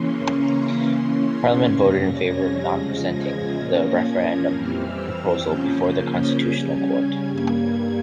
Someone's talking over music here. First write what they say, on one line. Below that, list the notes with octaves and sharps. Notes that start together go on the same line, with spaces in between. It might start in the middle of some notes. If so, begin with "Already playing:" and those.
Parliament voted in favour of not presenting the referendum proposal before the Constitutional Court.
Already playing: C#3 E3 A#3 C#4 C6
A#5
C#3 E3 A#3 C#4 C6
G#6
F2 C3 G3 C#4 A#6
G#6
E2 C#3 F3 G#3 A#6
G#6
A#2 F3 A#3 C#4 A#6
G#6
G#6
F2 E3 G3 C4 F6
E6
F6
C#3 F3 A#3 C#4 G6
G6
C#3 G3 C#4 G#6
G2 G3 A#3